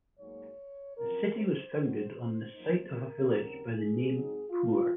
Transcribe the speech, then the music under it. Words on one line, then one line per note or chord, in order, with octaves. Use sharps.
The city was founded on the site of a village by the name "poor".
G#2 F#3 A#3 C#5
F#2 F3 C4 A#4
C5
D#2 D#3 F#3 C#4
C5
F#2 F3 A#3 D#4
A#4
D#2 C#3 F#3 C4
G#4
G#2 F#3 C4 D#4
F4